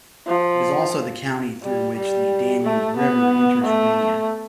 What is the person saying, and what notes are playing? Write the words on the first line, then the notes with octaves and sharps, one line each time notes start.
It is also the county through which the Danube River enters Romania.
F3
G3
G3
A3
B3
A3